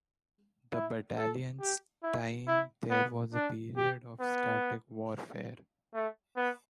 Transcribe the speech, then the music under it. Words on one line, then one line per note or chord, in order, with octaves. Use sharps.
The battalion's time there was a period of static warfare.
E4
A4
G4
E4
E4
B3
D4
G4
B3
A3
B3